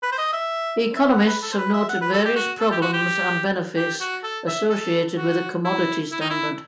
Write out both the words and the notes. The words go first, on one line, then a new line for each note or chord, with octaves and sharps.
Economists have noted various problems and benefits associated with a commodity standard.
B4
C5
D#5
E5
E5
F#5
B4
A4
C5
B4
E5
F#5
B4
A4
G4
F#4
A4
G4
F#4
G4
G4
F#4
A4
E5
A4
F#4
E4
E4
D#4
E4